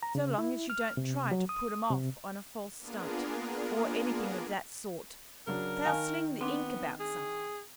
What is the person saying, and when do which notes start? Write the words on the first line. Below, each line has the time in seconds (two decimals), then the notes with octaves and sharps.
So long as you don't try to put 'em off on a false stunt, or anything of that sort, they'll sling the ink about some.
0.03 A#5
0.15 C#3
0.38 E4
0.70 F6
0.97 C3
1.31 F#3
1.49 D#6
1.91 C3
2.78 A#3 B3 D4 F4 G#4 A#4
5.47 C#3 F#3 D4 A#4
5.85 D#3 F5 G#5 A5
6.41 B3 C4 D4
7.00 G#4